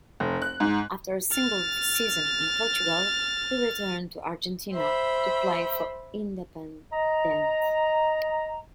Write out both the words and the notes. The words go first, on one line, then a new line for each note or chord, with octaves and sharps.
After a single season in Portugal, he returned to Argentina to play for Independiente.
F1
F#6
G#2
F6 A6
C5 E5 G5 B5
D#5 A#5